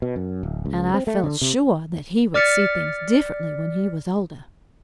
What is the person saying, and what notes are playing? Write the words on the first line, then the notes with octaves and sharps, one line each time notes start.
And I felt sure that he would see things differently when he was older.
B2
F#2
D1
C#2
C4
A3
D3
C3
D5 D6 F6 A6 B6 C#7